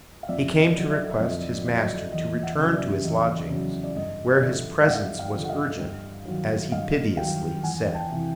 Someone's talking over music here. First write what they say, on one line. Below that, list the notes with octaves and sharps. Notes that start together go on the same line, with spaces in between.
He came to request his master to return to his lodgings, where his presence was urgent, as he piteously said.
F5
F2 D5 E5
D#5
D3 F#3
D5 E5
E5
F2 D#5
D3 F#3 D5
D#5
D5
E2 D#5
E5 F#5
C#3 F#3
D5 E5
E2 D#5
C#3 F#3
D5
G2 D#5
D3 F3 D5 E5
F5
G2 E5 F#5
F5 G5
D3 F3
F#5
D#5 F5
G2
D#3 F#3
G2 D#5 F5
D#3 F#3 F5 G5
E2 F#5 G#5
G5 A5
C3 E3